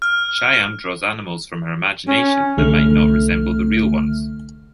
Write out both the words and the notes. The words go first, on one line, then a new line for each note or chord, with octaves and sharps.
Shyam draws animals from her imagination that might not resemble the real ones.
F6
C#4
C2 D3 A3 F6